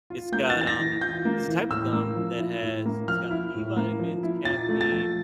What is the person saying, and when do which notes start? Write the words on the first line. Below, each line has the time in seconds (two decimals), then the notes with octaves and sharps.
It's got, um it's a type of gum that has it's got B vitamins, caffeine,
0.10 F4
0.32 A#3 G6
0.50 A6
0.55 E3
0.61 A6
0.67 A#6
0.79 E3
1.01 F4 G6
1.25 A#3
1.48 E3
1.70 A2 E6
1.93 A#3
2.16 F3
2.39 E4
2.62 A2
2.86 A#3
3.08 F3 F6
3.31 E4
3.54 A2
3.77 A#3
3.99 F3
4.23 E4
4.45 A#2 A6
4.69 A3
4.81 A6
4.92 F3